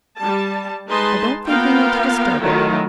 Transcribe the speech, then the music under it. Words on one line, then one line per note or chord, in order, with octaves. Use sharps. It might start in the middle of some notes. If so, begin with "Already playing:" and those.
I don't think we need to disturb it.
G3 A5
G#3 D#4 G#4 B4 A5 C6
A#3 B3 F4 A#4 F5 G5
D#3 F#3 A3 E4 F4